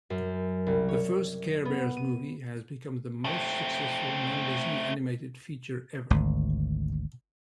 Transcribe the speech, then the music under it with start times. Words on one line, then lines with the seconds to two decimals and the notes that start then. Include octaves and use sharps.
The first Care Bears movie has become the most successful non-Disney animated feature ever.
0.10 F#2
0.67 C2
0.89 C#5
1.65 B3
1.97 D#7
3.25 A3 C4
6.10 G#1 D2